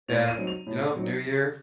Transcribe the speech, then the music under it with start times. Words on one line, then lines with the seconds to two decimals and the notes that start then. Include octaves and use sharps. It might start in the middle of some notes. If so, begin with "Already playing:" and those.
And, you know, new year,
0.08 A2 F7
0.28 D#7
0.37 F#3 C4 D#4
0.47 F7
0.67 A2
0.96 F#3 C4 D#4
1.24 C3